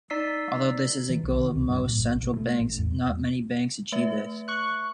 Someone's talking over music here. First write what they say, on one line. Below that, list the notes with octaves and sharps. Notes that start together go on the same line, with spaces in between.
Although this is a goal of most central banks, not many banks achieve this.
D#4 D5 E6 B6 C7
E3
B1
D#3
C#2
G2
A#2
G1
A#1
B2
A3
A1
E2
A3 B4 E5
C#6 F#6